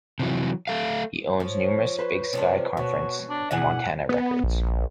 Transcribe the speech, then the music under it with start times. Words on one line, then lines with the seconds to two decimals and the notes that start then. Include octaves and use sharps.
He owns numerous Big Sky Conference and Montana records.
0.20 C3 E3 F#3
0.67 A3 A4 F5
1.40 F3 C#5
1.99 B4 C5
2.33 C3 F3 D4
2.77 B2 F#4
3.30 D4
3.51 B2 E3 D4 G#4 F#5
4.09 B3
4.44 A#1